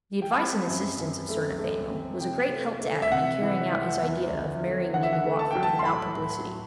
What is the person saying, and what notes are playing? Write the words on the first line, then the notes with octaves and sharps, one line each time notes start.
The advice and assistance of Sir Nathaniel was a great help to Adam in carrying out his idea of marrying Mimi Watford without publicity.
G5
A5
C4 B5
F#2
F#2
A3
A3
C4
C3 G5
A3
A3
E5
C3 F#5
E3
E3
E2
D3
A3
D3 F#5
E5
F#5
A3
A5
F#3 G5
A5
C6
A2 B5
A2
F#3